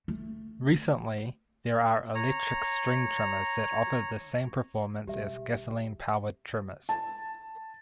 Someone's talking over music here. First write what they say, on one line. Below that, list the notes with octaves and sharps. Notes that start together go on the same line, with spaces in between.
Recently there are electric string trimmers that offer the same performance as gasoline-powered trimmers.
A3
C#5 A#5
B1 G3 G4 E5
A5